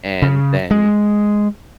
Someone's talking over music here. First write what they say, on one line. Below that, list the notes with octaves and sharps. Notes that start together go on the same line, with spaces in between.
and then
C#3
G#3